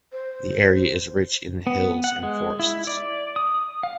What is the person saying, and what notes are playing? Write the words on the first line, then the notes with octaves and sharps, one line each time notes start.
The area is rich in hills and forests.
C5
B3
F#5
G#3
E4
D5
D#6
F5